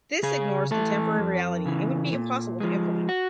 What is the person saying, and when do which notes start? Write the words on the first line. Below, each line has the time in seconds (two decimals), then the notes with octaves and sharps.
This ignores contemporary reality and would be impossible to implement.
0.23 C#3 G#4
0.71 E3 A3 A4
1.18 F2
1.66 C#3 E3
2.13 A#2
2.60 F3 G#3
3.09 F#4